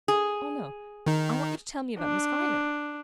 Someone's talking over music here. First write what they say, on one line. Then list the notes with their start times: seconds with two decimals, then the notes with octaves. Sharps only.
"Oh, no. I want you to tell me about Miss Viner."
0.08 G#4
1.06 D#3 D#4
1.99 D4